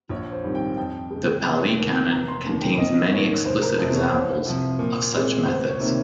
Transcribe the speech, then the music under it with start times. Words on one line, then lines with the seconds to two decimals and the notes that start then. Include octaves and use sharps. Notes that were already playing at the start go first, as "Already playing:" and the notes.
The Pali Canon contains many explicit examples of such methods.
0.09 A#1 C#5
0.32 C5
0.44 G#2 D#3 G3 C4
0.55 G5
0.77 F2 G5
1.11 C#3 G#3
1.44 F1
1.78 D#2 D#3 A#3
2.10 F1 A#5
2.28 C6
2.45 D#2 C#3 A#5
2.61 G5
2.78 A#1 D#5
3.11 G#2 D#3 A#3 C#4 C#5
3.45 F1 C5
3.62 A#4
3.78 F2 C3 C5
3.95 C#5
4.12 C2 C5
4.46 C3 F3
4.79 A#2
5.13 G#3 C4
5.46 C#2 C5
5.68 C#5
5.80 C3 D#3 A#3